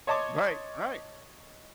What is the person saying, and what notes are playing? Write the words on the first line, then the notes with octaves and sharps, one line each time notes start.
Right. Right.
C#5 D#5 A5 C6 D6